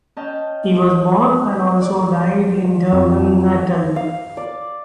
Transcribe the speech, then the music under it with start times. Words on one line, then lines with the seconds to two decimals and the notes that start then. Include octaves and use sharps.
He was born and also died in Durban, Natal.
0.17 C#4 D#5 G5 A5 F6
1.82 D5
2.93 F2
3.96 F5
4.37 D5